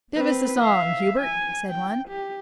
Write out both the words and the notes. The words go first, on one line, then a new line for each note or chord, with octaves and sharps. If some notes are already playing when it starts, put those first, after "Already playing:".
"Give us a song, Hubert," said one.
C4 B4
E5 F5
G#5
G5
G4